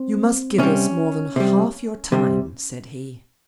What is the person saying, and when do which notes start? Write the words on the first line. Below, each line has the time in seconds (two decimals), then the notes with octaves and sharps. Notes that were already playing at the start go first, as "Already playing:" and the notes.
"You must give us more than half your time," said he.
Already playing: C4
0.58 C3 G3 C#4
1.36 C3 G3
2.12 C3 G3